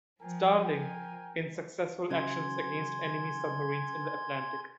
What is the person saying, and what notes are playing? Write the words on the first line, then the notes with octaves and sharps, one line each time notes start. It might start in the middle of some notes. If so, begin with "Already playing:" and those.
"Starling" in successful actions against Enemy submarines in the Atlantic.
F3 A#4 G5 G#5
C#3 F#3 G#5 C6 G#6